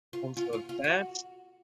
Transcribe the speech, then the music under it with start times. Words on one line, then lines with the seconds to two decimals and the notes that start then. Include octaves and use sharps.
And so that's
0.13 F4
0.37 F4
0.53 F4
0.69 F4
0.84 F#4